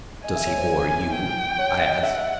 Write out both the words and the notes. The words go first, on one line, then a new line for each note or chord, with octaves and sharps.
"Does he bore you?" I asked.
D#5 G#5
E5
C#5
C5
C5
G5
C#5
D#5
E5 F#5
E5